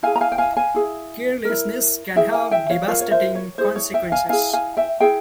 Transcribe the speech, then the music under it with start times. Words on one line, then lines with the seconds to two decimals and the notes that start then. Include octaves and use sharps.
Carelessness can have devastating consequences.
0.03 E4 G#4 F5 G#5
0.16 A#5
0.21 F5 G#5
0.32 G5
0.38 F5 G#5
0.57 F5 G#5
0.74 E4 G#4
1.45 E4 A#4
2.16 E4 G#4 E5 G5
2.34 F5 G#5
2.51 E5 G5
2.70 C#5 F5
2.88 F4 A#4 C#5 F5
3.01 C#5
3.11 C5 E5
3.35 C#5
3.58 E4 G#4 C5
3.76 C#5
3.94 E5 G5
4.12 F5 G#5
4.29 E4 G#4 F5 G#5
4.53 F5 G#5
4.77 E5 G5
5.00 E4 G#4 E5 G5